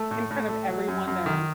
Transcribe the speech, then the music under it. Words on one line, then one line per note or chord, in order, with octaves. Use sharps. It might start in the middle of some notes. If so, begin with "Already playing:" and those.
in front of everyone there,
Already playing: A3
A2
A2
A3
F#3
F#2
F#2
D#3